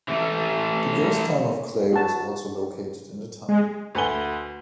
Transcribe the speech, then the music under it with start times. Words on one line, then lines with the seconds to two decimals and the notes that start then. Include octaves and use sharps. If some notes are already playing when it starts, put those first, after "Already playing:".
The ghost town of Clay was also located in the town.
0.08 E3 A3
1.93 F#4 A5
3.49 G#3
3.95 D2 B4 F#5 G#5 G7